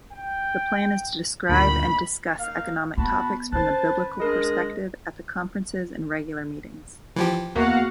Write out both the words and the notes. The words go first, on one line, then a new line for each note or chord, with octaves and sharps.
The plan is to describe and discuss economic topics from a biblical perspective at the conferences and regular meetings.
G5
D2 G2 A#2 D#3 B3 B5
A#3 D#4 F5
B3 F#4 A5 B5
D#3 C#4 B4 C5 A5 F#6 A6
G#3 D4 G#4 A#4 D#5
E3 F3 G4
E2 A#3 B3 F#4 F5 F#5